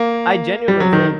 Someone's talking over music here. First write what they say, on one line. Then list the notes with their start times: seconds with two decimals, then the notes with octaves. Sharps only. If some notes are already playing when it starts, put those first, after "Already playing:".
I genuinely think
Already playing: A#3
0.68 G3
0.80 F#3
0.93 D#3